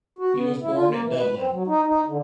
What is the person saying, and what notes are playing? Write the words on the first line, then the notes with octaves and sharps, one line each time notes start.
He was born at Dublin.
F#4
B3
E4
F4
A#3
E3
B4
C4
F#3
D#4
D#4
D3